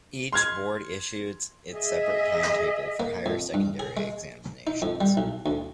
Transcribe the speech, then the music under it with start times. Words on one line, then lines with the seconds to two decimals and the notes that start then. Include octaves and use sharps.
Each board issues its separate time table for higher secondary examinations.
0.32 C6 F6 G#6
1.73 G#4 D#5 E5
3.00 A#3
3.26 F2
3.54 G2
3.79 G#4
3.97 G#3
4.67 D#4
4.82 F2
5.01 G3
5.17 B1
5.46 D2